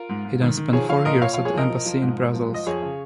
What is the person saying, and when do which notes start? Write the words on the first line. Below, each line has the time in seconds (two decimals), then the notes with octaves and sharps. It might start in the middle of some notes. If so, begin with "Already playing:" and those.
He then spent four years at the embassy in Brussels.
Already playing: F4 A#4
0.09 G#2
0.25 G#2
0.41 D#3
0.57 D#3
0.73 F3 G#4 C#5
0.89 F3 C#5 F5
1.05 A#2 A#4 D#5
1.22 A#2 C#5 F5
1.33 C#5 F5
1.38 F3
1.45 G#4 C#5
1.54 F3 A#4 D#5
1.70 F3
1.85 F3
2.02 G#2
2.17 G#2
2.34 F3
2.50 F3 D#5
2.67 F2 G#4 C#5
2.82 C#3